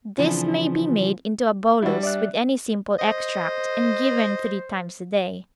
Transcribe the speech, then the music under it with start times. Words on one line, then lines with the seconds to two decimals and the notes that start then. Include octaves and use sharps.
This may be made into a bolus with any simple extract, and given three times a day.
0.18 C#3 E3 F3 B3 C4 D4
1.82 G3 D4 E4 F#4 E5
2.03 D5 E5 F#6
2.99 C5 D#5